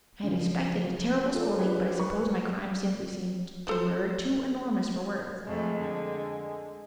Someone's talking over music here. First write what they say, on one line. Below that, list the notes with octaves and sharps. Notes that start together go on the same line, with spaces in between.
I had expected a terrible scolding, but I suppose my crimes simply seemed to her too enormous for words.
C#3 F3
F4 A4 D5
D4 F4 G4 G#4 B4 C#5
B4 C#6
F3 A4 C5
F2 G#3 A3
D3